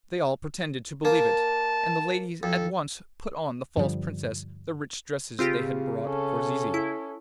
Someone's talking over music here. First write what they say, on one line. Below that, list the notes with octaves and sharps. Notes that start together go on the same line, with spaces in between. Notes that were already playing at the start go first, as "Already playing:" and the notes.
They all pretended to believe it, and the ladies at once put on the false princess the rich dresses they had brought for Zizi.
A#3 A5
F2 A4
G2 D3 F3 G3
C#3 C4 F4 G4
C#4 A4
E4